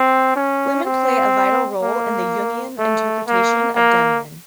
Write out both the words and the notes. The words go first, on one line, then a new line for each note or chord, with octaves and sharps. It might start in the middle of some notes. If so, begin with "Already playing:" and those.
Women play a vital role in the Jungian interpretation of "Demian".
Already playing: C4
C#4
C4
A#3
A3
A#3
A#3